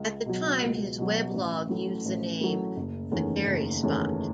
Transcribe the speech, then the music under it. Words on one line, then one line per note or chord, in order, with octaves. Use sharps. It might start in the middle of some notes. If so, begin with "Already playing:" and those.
At the time his weblog used the name "The Kerry Spot".
Already playing: C#2
B2 F#3
C#2
B2 F#3
A1
A2 F#3 A3
A1
A2 F#3 A3
F#1
E2 D#3 A3 C#4
F#1
E2 D#3 A3 C#4